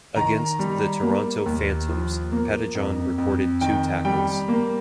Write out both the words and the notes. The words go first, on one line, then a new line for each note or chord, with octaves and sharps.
Against the Toronto Phantoms, Pettijohn recorded two tackles.
D#3 A#5
G3
A#3
D#2
F3
A#3
F2
F2
D#3 G5
G3 G5
A#3